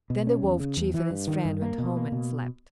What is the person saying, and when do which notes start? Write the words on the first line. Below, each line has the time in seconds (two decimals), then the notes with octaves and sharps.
Then the Wolf chief and his friend went home and slept.
0.10 B2
0.27 C#4
0.43 E2
0.60 C#3
0.77 E2
0.94 E3
1.11 G2
1.27 D#3
1.45 G2
1.62 A#3
1.78 B2
1.96 A#3
2.12 B2